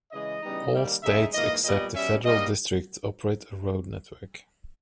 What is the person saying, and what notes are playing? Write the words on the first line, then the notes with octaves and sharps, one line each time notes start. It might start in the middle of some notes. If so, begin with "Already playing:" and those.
All states except the Federal District operate a road network.
C#3 E3 G#3 D#5
C#3 E3 G3 B3 D#4
D#3 G3 A#3 D#4
C#3 G#3 D#4 E5
G#2 E3 A#3 D#5
A#2 G3 B3 D#5
B2 G3 C#4 E5
G#2 G3 A#3 D#5